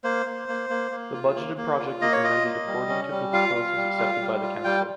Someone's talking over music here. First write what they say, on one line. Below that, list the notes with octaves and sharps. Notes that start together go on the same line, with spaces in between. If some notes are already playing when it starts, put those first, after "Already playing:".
The budgeted project is amended according to the proposals accepted by the Council.
A#3 C5
A#3
A#3
A#3
A#3
F4
A#3
A#3
F4
A#3 D#5
C#5
F4 D#5
A#3
G3
C#4
G3
F4 F5
F4
G3
F4
G3
F4
G3 G5